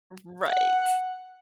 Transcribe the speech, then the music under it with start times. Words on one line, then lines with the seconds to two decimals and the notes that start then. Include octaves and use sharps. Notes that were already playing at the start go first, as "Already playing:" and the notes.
R right.
0.47 F#5